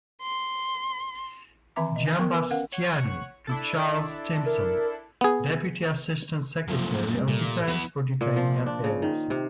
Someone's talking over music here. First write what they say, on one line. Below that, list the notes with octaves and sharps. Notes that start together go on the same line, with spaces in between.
Giambastiani, to Charles Stimson, Deputy Assistant Secretary of Defense for Detainee Affairs.
C6
D#3 E3 C4 E5 A#5 D6
D#5
G#5
B3 A#4 C#6
B4
C#4 A#4 F5 F#5
C#5 F#5 C#6
D4 E4 A4
A#4
B3 G#4
F#2 A#2 F3 A3 A4
G#3 C4
A#2 G3 A3
B3 E4
A#2
F3
D4
C#3
D#3
C3